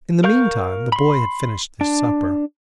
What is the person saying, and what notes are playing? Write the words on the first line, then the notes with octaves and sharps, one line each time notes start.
In the meantime the boy had finished his supper.
A#4 F5 C#6 G6
B5 C6
D4